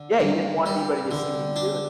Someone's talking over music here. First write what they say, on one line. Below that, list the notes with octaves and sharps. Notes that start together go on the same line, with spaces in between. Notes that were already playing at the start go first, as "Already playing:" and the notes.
Yeah, he didn't want anybody to see what he was doing.
Already playing: D3
G2
G3
D3
D4